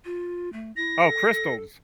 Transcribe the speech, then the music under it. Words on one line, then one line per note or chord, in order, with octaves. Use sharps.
Oh, crystals.
F4
A3
E4 A#6
A4
A4